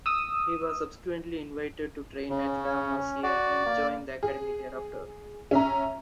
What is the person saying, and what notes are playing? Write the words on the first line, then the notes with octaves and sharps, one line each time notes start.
He was subsequently invited to train at La Masia and joined the academy thereafter.
D#6 E6
C#3 C#4
F#4 D5
A#3
G#4
C#4 E5 A#5